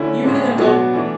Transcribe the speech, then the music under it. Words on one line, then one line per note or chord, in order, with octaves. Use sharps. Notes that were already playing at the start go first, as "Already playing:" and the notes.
you really gonna go
Already playing: D3 A3 C#4 E4
A2 G#3 D4
B2 F#3 B3 D4
E3 A3 D4